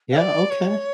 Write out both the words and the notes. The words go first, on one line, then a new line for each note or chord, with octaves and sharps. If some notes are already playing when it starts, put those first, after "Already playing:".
Yeah, okay,
F5
D5
C#5